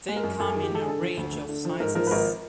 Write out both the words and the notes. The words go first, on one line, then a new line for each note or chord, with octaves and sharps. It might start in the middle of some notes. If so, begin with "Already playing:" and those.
They come in a range of sizes.
G#3
A#4
F#2
F#2 A4
D#3 G#4
G4
G#3 A4
G#4
D3 A4
F3
D2
A3
D3
F3
G#2 A#4
F3 A#4
B4
G#1 A#4